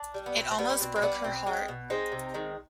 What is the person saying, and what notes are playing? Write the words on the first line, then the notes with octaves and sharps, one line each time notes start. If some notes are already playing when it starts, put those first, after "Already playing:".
It almost broke her heart.
Already playing: D4
G3
B3
B2 C4
C4
G3 B3
B3
B2 C4
C4
G3 B3 D4
B2 C4
G#3 C4
B2
G#3 C4 D#4
C3
D#3 G#3